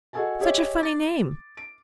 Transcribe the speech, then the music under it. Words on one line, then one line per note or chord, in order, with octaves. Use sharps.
"Such a funny name."
F#4 G#4 A4 D#5 G#5 A5
G4 G#4 C#5 D#5 E5
D6 A6
D7